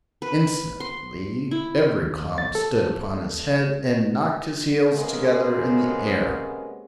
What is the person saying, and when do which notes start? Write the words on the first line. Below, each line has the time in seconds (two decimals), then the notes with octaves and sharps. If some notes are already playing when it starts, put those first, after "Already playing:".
Instantly every Clown stood upon his head and knocked his heels together in the air.
0.22 B4
0.80 C6
1.51 E4
2.03 D#2
2.38 A6
2.55 A4
4.94 C3 G#3 A#3 B3 C#4